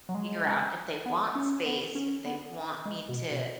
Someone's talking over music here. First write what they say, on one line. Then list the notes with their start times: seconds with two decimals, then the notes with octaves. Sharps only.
to figure out if they want space, if they want me to
0.09 F#3
0.15 G#3
1.06 B3
1.35 C#4
1.66 B3
1.95 C#4
2.25 B3
2.85 G#3
3.09 B2
3.31 B2